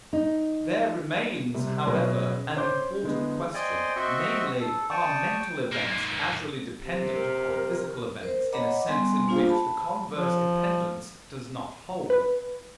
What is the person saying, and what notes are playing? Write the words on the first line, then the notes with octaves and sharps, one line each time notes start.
There remains, however, an important question, namely: Are mental events causally dependent upon physical events in a sense in which the converse dependence does not hold?
D#4
C3 G3
B2 F#3 C#4 G#4 B4
C#4 C5 D6 G6
D3 E3 G#3 B3
C5 D5 D#5 G5 G#5 C6
C4 F#4 D#5 E5 C6 C#6
A4
D5 G5 A5 C#6 D#6
G5
G#2 A#3
C3
A#4
A#4 C5
C#5 D#5 F#5 A#5 B5 D6
G3 B3 G#5 C6
A#3 D4 F4 C5 F5
A5 B5
F3
B4